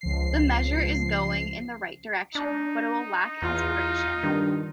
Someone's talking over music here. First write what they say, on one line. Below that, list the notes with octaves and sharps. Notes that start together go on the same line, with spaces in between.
The measure is going in the right direction, but it will lack inspiration.
C#2 F3 C7
D4 D#4
E2 F4
G2 D#3